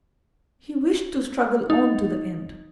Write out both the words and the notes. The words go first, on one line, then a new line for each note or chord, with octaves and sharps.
He wished to struggle on to the end.
D#4